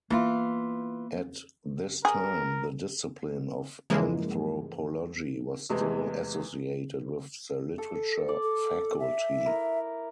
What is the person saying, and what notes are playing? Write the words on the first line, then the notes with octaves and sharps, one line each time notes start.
At this time the discipline of anthropology was still associated with the literature faculty.
E3 A#3 B3 F4
G#4 A#4
G2 C#3 E3 F3 G#3 A#3
E2 C3 E3 G#3 A3
A4
D5
A4
E5
E4 A#4